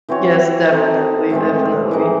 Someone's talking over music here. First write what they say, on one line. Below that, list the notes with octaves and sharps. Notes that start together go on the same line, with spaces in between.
Yes, definitely, definitely.
E3 C4 F#4 C#5
C4 D#4 A4
A2 E3 G#3 C4
E3 G#3 D#4